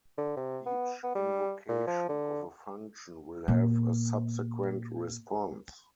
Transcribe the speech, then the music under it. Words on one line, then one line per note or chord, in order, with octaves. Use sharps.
Each invocation of a function will have a subsequent response.
D3
C3
B3
B3
G3
A#2
F3
D3
A#2 B3